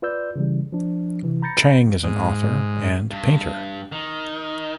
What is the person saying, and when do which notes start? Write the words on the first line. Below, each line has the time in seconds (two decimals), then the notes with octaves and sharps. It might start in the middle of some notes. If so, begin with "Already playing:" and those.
Chang is an author and painter.
0.02 F4 B4 D5 E6 G6
0.36 C#3 E3 G3
0.72 F3 D4
1.22 C3 E3
1.42 A#5 B5 G6 A6 A#6 C#7
2.03 G#2
3.11 G2
3.92 D#3